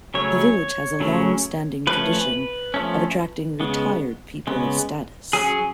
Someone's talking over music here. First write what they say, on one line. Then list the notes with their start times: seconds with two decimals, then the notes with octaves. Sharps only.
The village has a long-standing tradition of attracting "retired people of status".
0.14 C#3 F#3 A3 C#4 C#5
1.00 C#3 F#3 A3 C#4
1.87 F3 A3 C#4 B4
2.74 F3 A3 C#4
3.60 C#3 G#3 B3
4.47 C#3 G#3 B3
5.33 F#3 C#4 G#4